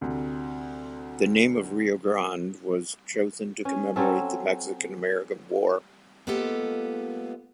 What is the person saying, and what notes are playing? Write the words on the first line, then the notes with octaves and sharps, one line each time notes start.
The name of Rio Grande was chosen to commemorate the Mexican-American War.
D2 C3
C#4
F#3 C4 C#4 A4
G#3 A#3 B3 F4 G4 A4